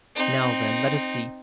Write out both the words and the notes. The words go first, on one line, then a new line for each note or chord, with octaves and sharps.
Now, then, let us see.
C4 D#4